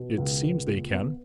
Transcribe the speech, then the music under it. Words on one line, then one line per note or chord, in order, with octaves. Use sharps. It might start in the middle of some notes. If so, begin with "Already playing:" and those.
"It seems they can."
Already playing: B2
C#2
C#2
A#2
B3